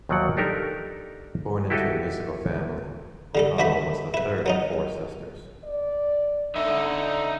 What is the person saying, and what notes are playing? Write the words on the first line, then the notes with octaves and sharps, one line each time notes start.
Born into a musical family, O'Connell was the third of four sisters.
D#2 F3 F#3 D5 F#5
D4 D#4 G4 A4 A#4
E4 F#4 G4 A4 C#5 D#5
D3 G3 A4
D2 D#3 F#4 B4 E5 B5
E4 B4
F#3 C#4 D#4
D5
D3 D#4 E5